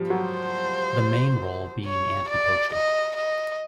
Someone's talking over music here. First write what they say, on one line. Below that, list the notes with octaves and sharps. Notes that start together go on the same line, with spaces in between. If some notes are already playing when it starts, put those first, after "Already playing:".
The main role being anti poaching.
Already playing: F3 G3
F#3 C5
C#5
D5
D#5
D#5